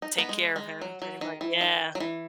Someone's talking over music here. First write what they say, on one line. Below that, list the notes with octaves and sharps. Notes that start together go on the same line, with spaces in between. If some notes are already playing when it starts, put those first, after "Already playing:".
Take care of him pretty mu yeah.
D#4
B3 D#4
G#3
G#3
F#3
F#3
D#3
E3
D#3
F#3
E3